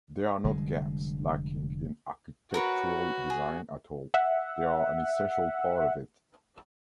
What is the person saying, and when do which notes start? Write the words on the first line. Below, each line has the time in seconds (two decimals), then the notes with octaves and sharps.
They are not gaps lacking in architectural design at all, they are an essential part of it.
0.44 F1 D3 G3 G#3
2.54 F#4 A#4 B4 C#5
3.30 G#4
4.14 E5 F#5